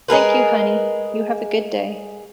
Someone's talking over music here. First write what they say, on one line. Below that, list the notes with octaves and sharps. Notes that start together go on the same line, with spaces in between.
Thank you, honey. You have a good day.
G#3 G#4 A#4 B4